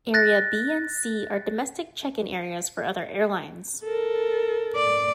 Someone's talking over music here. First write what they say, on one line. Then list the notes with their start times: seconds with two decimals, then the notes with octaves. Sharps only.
Area B and C are domestic check-in areas for other airlines.
0.14 F#6 A6 A#6
3.84 A4 A#4
4.76 D5